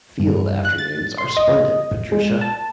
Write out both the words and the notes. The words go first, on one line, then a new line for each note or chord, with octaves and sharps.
Field afternoons are splendid, Patricia.
G2
F#6
A6
C6
D#5
G#3
A5